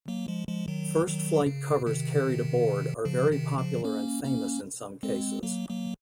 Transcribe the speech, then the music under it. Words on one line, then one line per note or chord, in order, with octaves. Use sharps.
First flight covers carried aboard are very popular and famous in some cases.
F#3 A#3
F3 G#3
F3 G#3
D#3 F#3
D#3 F#3
C#3
C3 D#3
C#3 F3
C3 D#3
C#3 F3
A#3 C#4
A#3 C#4
G#3 C4
F#3 A#3
F#3 A#3